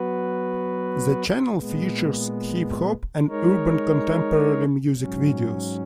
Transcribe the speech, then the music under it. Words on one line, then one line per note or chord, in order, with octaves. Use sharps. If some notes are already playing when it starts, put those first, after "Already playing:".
The channel features hip-hop and urban contemporary music videos.
Already playing: F#3 B3 F#4 B4
A#2 G#3 B3
G#3 D#4 A#4 C#5
G#2 F#3 C#4